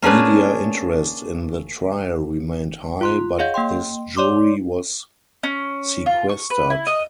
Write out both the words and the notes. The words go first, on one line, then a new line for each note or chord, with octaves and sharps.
Media interest in the trial remained high, but this jury was sequestered.
A#3 C#4 D4 G#4 B4
F4 C6 F#6
G#4 C#5 D#5 F5 F#5 G6
A#3 D#5 G5 C6
C#5 D5 C6 D6
C#4
F4
C#6
B4
E4
D#5